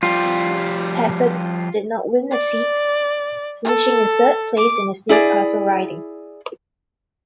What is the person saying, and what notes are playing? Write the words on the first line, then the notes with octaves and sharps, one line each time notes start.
Pafford did not win a seat, finishing in third place in his Newcastle riding.
F3 G3 F4 G4
D5
A4
D6
E4 G#4 D5